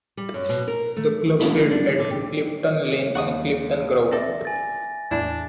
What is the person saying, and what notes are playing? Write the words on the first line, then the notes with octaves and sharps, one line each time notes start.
The club played at Clifton Lane and Clifton Grove.
G3
F#2
B2
A#4
A3
E4
D4
D3
G4
D#2 F#5 C#6 D#6
C4 A4 D5 E5 A#6
G#5 A6
E2 A2 D4 E4